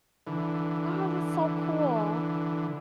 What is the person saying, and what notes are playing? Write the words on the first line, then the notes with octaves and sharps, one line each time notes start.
Oh, that's so cool.
D3 E3